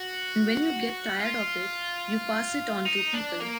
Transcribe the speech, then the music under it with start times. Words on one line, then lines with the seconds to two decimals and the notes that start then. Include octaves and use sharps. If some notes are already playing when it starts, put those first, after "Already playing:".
And when you get tired of it, you pass it on to people.
Already playing: F#4
1.20 F4
2.86 D#4
3.14 D4
3.41 A#3